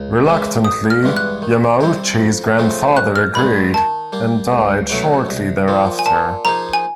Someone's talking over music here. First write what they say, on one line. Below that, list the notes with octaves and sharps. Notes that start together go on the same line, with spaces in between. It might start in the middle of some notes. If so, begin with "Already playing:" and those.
Reluctantly, Yamauchi's grandfather agreed, and died shortly thereafter.
Already playing: C#2
C#3 E3 G#3
A1 D#6
F6
G2 E3 G#3 B3
F#6
D#3
G3 C4 E4
F2
C#3 F3 A3 C4
A1 F#6
F6
G2 D#3 G#3 B5
D#3 A5
G3 A#3
C#2
B2 F#3 A3 C#4
C2
A#2 F3
G#5
A#2 A5
F3 A#3 D#4 G#4 A#5
G#5